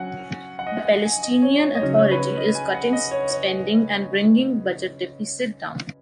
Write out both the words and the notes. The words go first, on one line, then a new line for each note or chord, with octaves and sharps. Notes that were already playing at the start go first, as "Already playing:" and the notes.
The Palestinian Authority is cutting spending and bringing budget deficit down.
Already playing: F#3 C#4 F#5 G#5
F#5
D#5
F#5
G#5
D#5
C#5
C#5
D#5
C#3 F#3 D#4 C#5
C#5
B4
C#5
D#5
G#5
F#5
D#5
C#5
C#5